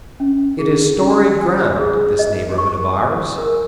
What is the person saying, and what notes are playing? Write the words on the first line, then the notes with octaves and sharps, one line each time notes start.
It is storied ground, this neighborhood of ours.
C#4
G#4
C#4
G#5
G#4
D#5
C#6
G#5
A#4